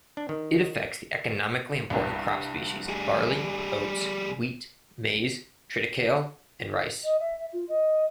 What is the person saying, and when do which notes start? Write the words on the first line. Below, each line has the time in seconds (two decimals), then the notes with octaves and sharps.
It affects the economically important crop species barley, oats, wheat, maize, triticale and rice.
0.17 D4
0.29 D#3
0.61 D#3
1.90 C2 G2
2.89 G3 G#4
7.04 D#5
7.19 E5
7.52 F4
7.69 D#5